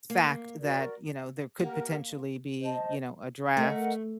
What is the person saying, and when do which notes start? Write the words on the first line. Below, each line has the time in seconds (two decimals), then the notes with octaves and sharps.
fact that, you know, there could potentially be, you know, a draft
0.10 A#3
0.59 F#4 A#4 D5
1.58 A#3 G4 A#4 F#5
2.59 C5 D#5 A5
3.57 A3 A#4 D#5 F#5